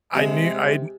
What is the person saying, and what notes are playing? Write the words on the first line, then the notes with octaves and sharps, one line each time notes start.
I knew, I kn
C3 G#3